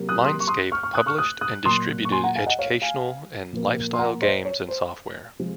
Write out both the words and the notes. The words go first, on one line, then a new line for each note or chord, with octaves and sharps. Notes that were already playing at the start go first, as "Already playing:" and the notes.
Mindscape published and distributed educational and lifestyle games and software.
Already playing: C3 F#3 A#3
D#6 F#6
C6 D#6
C#6
C6 D#6
C#6 F6
C#6 F6
D#6 F#6
C#6 F6
D#6 F#6
D#6 F#6
A#2 F#3 A#3 C6 D#6
C#6
G#5 C6
F#5 A#5
F5 G#5
D#5 F#5
C#5 F5
F5 G#5
A#2 F3 A#3
C6
F#5 A#5
C5 D#5
C#5
C5
C3 F3 G#3